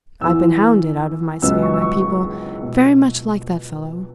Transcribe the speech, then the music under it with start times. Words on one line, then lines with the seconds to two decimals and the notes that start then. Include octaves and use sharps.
I've been hounded out of my sphere by people very much like that fellow.
0.21 E2 E3 B3 E6
1.42 C#2 C#3 F#3 B3 E6
1.62 C#6
1.74 E6
1.82 C#6
2.02 C#6
2.62 B2 B3